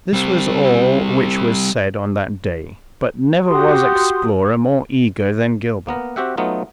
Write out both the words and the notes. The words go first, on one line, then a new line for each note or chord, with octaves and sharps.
This was all which was said on that day, but never was explorer more eager than Gilbert.
G3 C4
F#4 G4 C6 D#6
A#3 B3 A#4
C4 F#4 G4 E5 F#5
F#3 A3 B3 D#4 F4